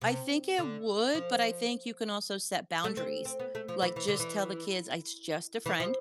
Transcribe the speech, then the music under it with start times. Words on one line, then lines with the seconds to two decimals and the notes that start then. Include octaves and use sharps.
I think it would, but I think you can also set boundaries, like, just tell the kids, "I it's just a friend,
0.02 C3
0.59 D3
1.15 F3
2.84 A3
2.97 C4
3.25 C4
3.39 B3
3.55 A3
3.68 F3
3.82 E3
3.96 E3
4.08 D3
4.19 E3
5.66 E3
5.80 F3